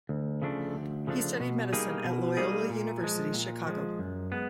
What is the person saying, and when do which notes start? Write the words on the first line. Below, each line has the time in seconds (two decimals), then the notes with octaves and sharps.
He studied medicine at Loyola University Chicago.
0.09 D2
0.42 C#3 F3 A3 D4
0.75 D2
1.07 C#3 F3 A3 D4
1.40 B2
1.73 G3 A#3 D#4 G#4
2.04 B2
2.37 G3 A#3 D#4 G#4
2.70 A#2
3.01 F3 G#3
3.34 A#2
3.67 F3 G#3
3.99 F#2
4.32 G#3 B3